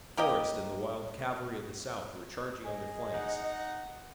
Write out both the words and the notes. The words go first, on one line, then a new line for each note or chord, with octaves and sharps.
Forrest and the wild cavalry of the South were charging on their flanks.
A#3 G4 A#4 D#5
G#4 D#5
D#4 F#5